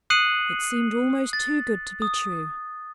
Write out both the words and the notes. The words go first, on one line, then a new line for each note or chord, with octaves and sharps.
It seemed almost too good to be true.
D#6 F#6 C7 C#7 D#7 F#7
A6
D#6